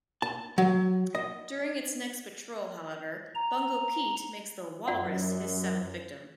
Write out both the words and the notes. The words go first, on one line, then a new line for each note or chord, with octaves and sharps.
During its next patrol, however, Bungo Pete makes the "Walrus" his seventh victim.
A5
F#3
D#5
A#5
F#2 F4 D5 F#5